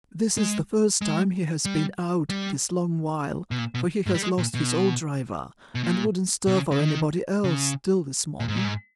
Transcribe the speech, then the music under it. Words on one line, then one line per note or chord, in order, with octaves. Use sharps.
This is the first time he has been out, this long while, for he has lost his old driver and wouldn't stir for anybody else, till this morning.
G#3
G#3
G3
G3
B2
A#2
B2
G#2
G3
G#3
A#2
B2
B2
A#2
B2
C#3
C#3
D#3
C#3
A#2
G#2
A#2
G#2